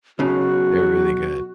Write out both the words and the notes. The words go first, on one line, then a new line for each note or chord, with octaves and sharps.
They're really good,
B1 C#3 F#4